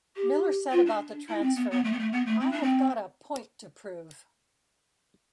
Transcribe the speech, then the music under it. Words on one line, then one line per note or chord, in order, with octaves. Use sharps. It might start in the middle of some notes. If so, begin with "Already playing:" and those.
Miller said about the transfer: I have got a point to prove.
G4
F4
D4
E4
C4
B3
B3
A3
B3
A3
B3
A3
C4
D4
C4